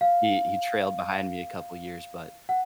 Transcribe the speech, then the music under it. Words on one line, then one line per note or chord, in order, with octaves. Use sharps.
He he trailed behind me a couple years, but,
F5
F#5